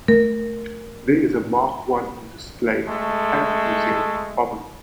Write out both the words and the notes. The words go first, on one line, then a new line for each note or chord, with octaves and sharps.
There is a Mark One on display at The Tank Museum, Bovington.
A3 A#4
G#3 A3